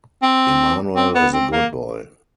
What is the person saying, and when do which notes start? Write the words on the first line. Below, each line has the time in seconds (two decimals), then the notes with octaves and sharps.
Immanuel is a good boy.
0.22 C4
0.96 C4
1.15 B3
1.33 C4
1.53 A#3